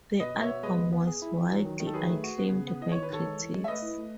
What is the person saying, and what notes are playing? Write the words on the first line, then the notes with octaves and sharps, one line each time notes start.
The album was widely acclaimed by critics.
B2 B4 D#5
B2
C#5 E5
B3
G#3 B4 D#5
D#2
B3
G#4
E4
E3
F#3
D#3
D#3
A4
F#3 G#4 B4
A3
F#4
B3
C#3
B3
E4 D#5
D#3 C#5
B4
D#3 A4 C#5
G#3
E3
G#3
E5
A3 B4 D#5
E4
A3